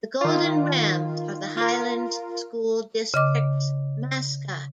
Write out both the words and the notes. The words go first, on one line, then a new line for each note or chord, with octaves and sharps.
The Golden Rams are the Highlands School District's mascot.
D#3 F4
F4 A#4
C#3 D#5 D6